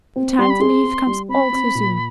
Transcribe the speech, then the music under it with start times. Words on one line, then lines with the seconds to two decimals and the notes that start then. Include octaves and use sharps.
The time to leave comes all too soon.
0.16 C4
0.39 G3 C6
0.50 B5
0.61 G#4 C6
0.83 C4
1.07 G3
1.28 C4 B5
1.52 C4
1.75 A#2